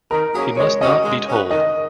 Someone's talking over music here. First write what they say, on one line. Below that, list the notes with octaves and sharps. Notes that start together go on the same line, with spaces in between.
He must not be told.
D#3 A#4
F#3 A#3 C#4 G#4
G#3 C#5
C#4 F#4 D#5
G#3
C#4 F#4 B4
D#3 D#5